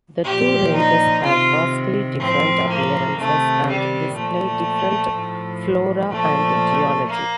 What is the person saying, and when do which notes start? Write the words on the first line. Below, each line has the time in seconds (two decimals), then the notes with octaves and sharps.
The two ranges have vastly different appearances and display different flora and geology.
0.25 A#2 F3 G4
0.73 D#4
1.22 C3 D#3 F4
2.20 A2 F3 C4
2.69 A#3
3.17 C3 D#3 A3
3.66 G3
4.15 A#2 F3 A3
5.12 A2 F3
6.10 A#2 F3 A3
7.07 A#3